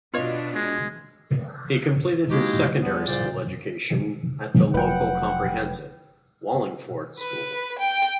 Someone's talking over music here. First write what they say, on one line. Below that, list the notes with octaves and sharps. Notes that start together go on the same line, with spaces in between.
He completed his secondary school education at the local comprehensive, Wallingford School.
B2 D4 F4 C#5 D#5
G#3
G#3 A#3 D#4 E4 F#4 G4
E2 F3 G3 B3
C2 A#2 C#3 C5 D5
F1 F#3 B4 F#5 G5
B4
G5